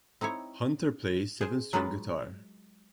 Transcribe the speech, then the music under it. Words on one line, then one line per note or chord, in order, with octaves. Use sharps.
Hunter plays seven-string guitar.
C4 D#4 E4 C#5
G#4 C5
F#3 G#3 D#4 F4 F#4 B4